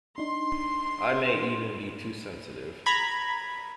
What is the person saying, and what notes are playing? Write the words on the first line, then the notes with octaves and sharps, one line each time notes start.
I may even be too sensitive.
D4 D#4 C6
A#5 B5 G#6